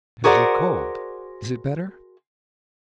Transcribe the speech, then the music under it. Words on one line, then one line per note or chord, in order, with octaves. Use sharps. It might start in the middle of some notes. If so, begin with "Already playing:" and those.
'And your cold, is it better?'
F#4 G#4 A#4 C5 D5 F#5